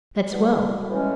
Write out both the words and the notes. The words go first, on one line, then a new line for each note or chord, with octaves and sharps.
"That's well."
E2 B2 G3
A2 E3 G#3 C#4